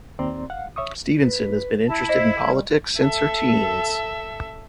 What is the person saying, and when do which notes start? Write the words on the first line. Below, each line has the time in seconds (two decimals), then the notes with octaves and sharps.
Stevenson has been interested in politics since her teens.
0.19 D#2 C4 D5 A#5 C6
0.50 F5 F#5
0.76 C#5 E5 C#6 D#6
1.22 B4
1.88 E4 A5
2.09 C5 D#5
2.43 G3
2.98 A4 E5